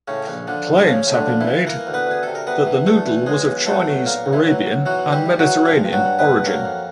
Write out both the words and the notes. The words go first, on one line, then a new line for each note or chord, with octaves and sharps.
Claims have been made that the noodle was of Chinese, Arabian and Mediterranean origin.
A2 C#3 C#4
A#1
D3 F3 D4
A#1
C#3 F3 C#4
A2
D3 D4
F3
E3 E4
F3
E3 A#3 A#4
D2
B3 B4
D2 G#4
C3 A4
A#4
C3 B3 B4
E3
D2 A3 A4
E3
B1 G#3 G#4
B1
F#3 A3 A4
B1
A#2 A#3 A#4
B1
E3 E4
F#3
B1
E3 F#3 F#4
E3
G3 G4
E3
F#3 F#4
E3
G2 F3 F4
G2
F#3 F#4
G2
B3 B4
G2
F#3 A#3 A#4
F2